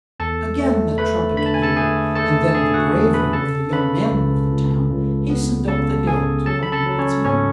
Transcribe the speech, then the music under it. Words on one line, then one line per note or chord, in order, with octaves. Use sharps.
Again the trumpet blew, and then the braver of the young men of the town hastened up the hill to learn its meaning.
E2 A4 A5
A3
A3 B4 B5
D3 B5
A5
G#5
A4 A5
A3 G#4 G#5
A3 A4 A5
A5
D3 G#4 G#5
F#4 F#5
E2
B4 B5
C#3 A4 A5
C#3 B4 B5
C#2
C#2
C#2
B3
C#3 A4 A5
C#3 G#4 G#5
F#3 A4 A5
B5
A4 A5
F#3
C#4 C#5
G#2 C#4 C#5